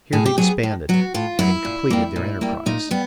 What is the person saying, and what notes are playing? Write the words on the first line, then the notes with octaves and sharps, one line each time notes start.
Here they disbanded, having completed their enterprise.
A2 G#4
G4
F#3 B3 G#4
A2
F#3 B3 F#4
A2 F4
F#3 B3 E4
A#2
G3 A#3
A#2
G3 A#3
A#2 D#4
G3 B3